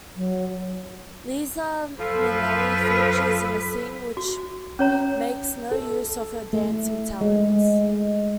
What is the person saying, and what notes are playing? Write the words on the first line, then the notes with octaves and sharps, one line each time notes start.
Liza Minnelli features in a scene which makes no use of her dancing talents.
F#3
F#2 F3 A4 B4
F#4
C#4 C#5 A#5
A4
A3
G#3